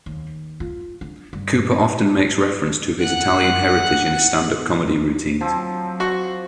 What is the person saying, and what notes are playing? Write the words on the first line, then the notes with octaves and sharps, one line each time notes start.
Cooper often makes reference to his Italian heritage in his stand up comedy routines.
D#2
F4
D4
G2
F#5 F#6
F3 F#3 C4
F#4 C#6